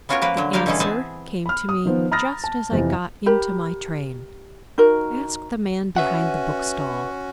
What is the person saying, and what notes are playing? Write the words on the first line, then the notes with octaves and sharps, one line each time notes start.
The answer came to me just as I got into my train-- Ask the man behind the bookstall.
B3 C#4 F4 F#4 A#4 C#5
F3 A#3 A#4 B4
D3 F#3
G3 A#3 G4 A#4 F5
B2 D3 E3 C#4 G#4 A4
B3 C4 G#4 A5
B5 F6
D#6
D#3 F3 B3
A#5 B5 D#6 F6 A6 A#6
A5
F2 C3 E3 F3
G4 A#4 B5
D#4 F#4 A#4
C#4 F#4 B4 E5 F#5